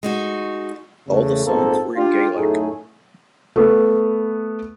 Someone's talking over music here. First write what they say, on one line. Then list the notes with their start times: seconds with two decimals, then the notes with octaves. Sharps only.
All the songs were in Gaelic.
0.03 G#3 D#4 F#4
1.08 E2 C#3 A3
1.45 A#1 G#2 F3 A#3 C4 A4
1.96 D4 F4 G4
2.37 F#2 A2 A3 D#4 G#4
3.56 A3 B3